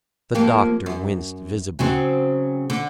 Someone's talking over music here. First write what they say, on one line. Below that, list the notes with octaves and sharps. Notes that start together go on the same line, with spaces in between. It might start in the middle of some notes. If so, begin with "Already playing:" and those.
The doctor winced visibly.
F2 A#3 G4
F#2
C#3 F#3 C4
D3